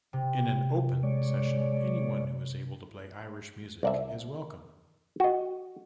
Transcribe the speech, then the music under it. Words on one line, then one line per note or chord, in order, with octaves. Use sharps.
In an "open" session, anyone who is able to play Irish music is welcome.
C3
G#3 C#5 D5
C2 D5 E5
F#4 D#5